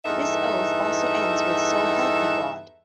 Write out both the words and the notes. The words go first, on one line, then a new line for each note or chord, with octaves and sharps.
This oath also ends with So help me God!
E2 G2 D#4 A4 B4 E5